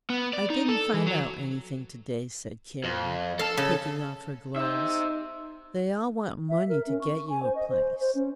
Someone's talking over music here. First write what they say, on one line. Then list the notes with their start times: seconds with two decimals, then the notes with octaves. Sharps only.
"I didn't find out anything to-day," said Carrie, taking off her gloves. "They all want money to get you a place."
0.10 B3
0.33 D5
0.50 D#4
0.68 A4
0.93 E3
1.06 F#3
2.84 F2
3.39 A4 F5 A5
3.57 C#3
4.56 D#4 C5 E5
6.49 E5
6.69 A#4
6.87 C#4
7.01 C#6
7.30 G#5
7.43 C5
7.55 D#5
7.70 C5
8.01 C5
8.15 C#4